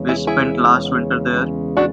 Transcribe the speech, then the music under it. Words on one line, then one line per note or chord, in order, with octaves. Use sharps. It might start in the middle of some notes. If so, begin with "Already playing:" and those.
We spent last winter there.
Already playing: E2 C#3 G#3 C#4
E4 G#4
E4 G#4
D4 F#4